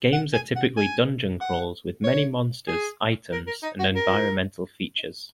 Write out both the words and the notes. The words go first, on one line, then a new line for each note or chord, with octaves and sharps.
Games are typically dungeon crawls, with many monsters, items, and environmental features.
F#5
G#5
F#5
G#5
F#5
C#5
G#4
A#4
A#4
D#4
F#4
A#4